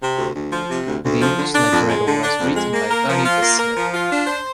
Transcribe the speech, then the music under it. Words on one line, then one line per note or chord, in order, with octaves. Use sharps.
The English libretto was written by Buddy DeSylva.
C3
D2
D2
F3
C3
D2
D2
F3
D3
D4
F2
G#3
D3
D4
F2
G#3
A#3
A#4
F3
F4
A#3
A#4
F3
F4
D4
C5